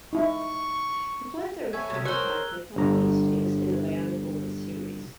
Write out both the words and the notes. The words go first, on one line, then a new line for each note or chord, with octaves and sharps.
He played the recurring character Tom Hastings in the "Bionic Woman" series.
D#4 E4 C#6
A3 B4 C#5 E5 G#5 G#6
A#2 C#3
G#4 A#4 C5 C#5 E6 F#6 G7
G1 A#5